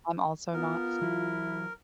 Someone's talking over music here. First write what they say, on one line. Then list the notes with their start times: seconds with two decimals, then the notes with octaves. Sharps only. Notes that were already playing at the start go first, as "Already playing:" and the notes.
I'm also not,
0.54 B3 F4 A#4
1.01 E3 F#3 E4